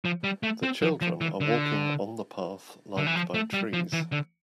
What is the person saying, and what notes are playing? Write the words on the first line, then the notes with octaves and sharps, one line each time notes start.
The children are walking on the path lined by trees.
F3
G3
A3
C4
F3
F3
E3
D3
D3
E3
F3
A3
G3
F3
E3
D3